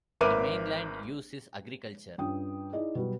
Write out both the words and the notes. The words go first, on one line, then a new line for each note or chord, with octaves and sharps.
The main land use is agriculture.
G#1 A#4 B4 E5 D6 D#7
G2 C#4 F4 G5 D#6
D#4 E4 G#4 D5 D#5
B2 F#3 G3